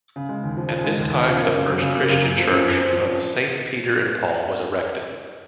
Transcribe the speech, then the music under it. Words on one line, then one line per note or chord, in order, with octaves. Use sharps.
At this time the first Christian church of Saint Peter and Paul was erected.
C#3
G#3
D#2
F3
C#3
G#3
D#2
F3
C#3
A#3
F#2
F#3
C#3
A#3
F#2
F#3
F3
F#2
F#2
C4
F3